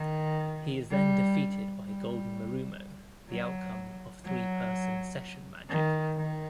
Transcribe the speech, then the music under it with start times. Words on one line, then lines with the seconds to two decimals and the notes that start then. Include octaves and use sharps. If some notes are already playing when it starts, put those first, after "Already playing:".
He is then defeated by Golden Mirumo, the outcome of three person session magic.
Already playing: D#3
0.89 G3
1.85 G3
3.29 F#3
4.25 F#3
5.69 D#3
6.17 D#3